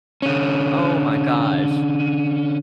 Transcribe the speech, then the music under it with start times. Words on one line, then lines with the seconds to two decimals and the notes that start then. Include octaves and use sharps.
Oh my gosh.
0.22 D3 C#4